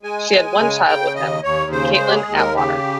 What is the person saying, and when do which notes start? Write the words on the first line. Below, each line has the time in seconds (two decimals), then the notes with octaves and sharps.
She had one child with him, Caitlin Atwater.
0.03 G#3 G#5
0.31 G#3
0.60 C#3
0.87 C#3 G5
1.15 D#2 D#5
1.43 D#2 C#5
1.71 C#3 C5
1.93 C5
2.00 G#3
2.08 G4
2.14 G#4
2.27 D#2
2.35 A#4
2.56 C#3 G4